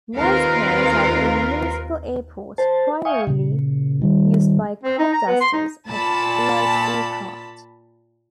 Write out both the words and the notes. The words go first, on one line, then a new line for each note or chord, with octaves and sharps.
Nezperce has a municipal airport, primarily used by cropdusters and light aircraft.
D#2 C4 F4 A#4 B4 F5
C5 A5
E5 F5 G5 G#5 C#6 D#6
A#2 C#3
D#3 G3
C4
D#4
A#5
B3
C6
D#4
A#2 A5 B5